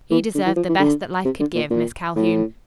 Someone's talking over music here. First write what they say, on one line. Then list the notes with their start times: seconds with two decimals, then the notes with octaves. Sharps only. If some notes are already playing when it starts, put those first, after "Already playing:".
"He deserved the best that life could give, Miss Calhoun."
0.11 E3
0.35 D3
0.46 E3
0.56 F3
0.69 E3
0.79 D3
1.25 C3
1.40 D3
1.55 A#2
1.71 A#2
2.16 A2